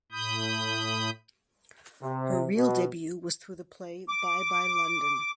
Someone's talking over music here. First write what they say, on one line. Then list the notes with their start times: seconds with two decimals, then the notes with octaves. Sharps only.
Her real debut was through the play "By Bye London".
0.12 A2 B5 D#6 G6
2.02 C3
2.56 B2
4.08 D6